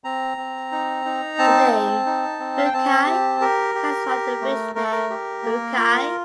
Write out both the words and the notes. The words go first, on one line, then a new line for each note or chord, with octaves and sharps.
The name "Rukai" comes from the village name "Rukai".
C4 A#5
C4
D#4
D#4
C4 A5
C4
D#4
C4
F5
G5
C4 A5
G4
G4 A#4
G4
G4
A3
A3 A#4
A4
A#4
G4
A#3
F4